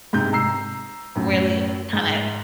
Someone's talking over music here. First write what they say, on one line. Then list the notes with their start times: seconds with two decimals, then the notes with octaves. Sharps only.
Really kinda
0.13 G#2 C3 G6
0.33 A#5 E6 C7
1.15 F#2 A2
1.93 G#2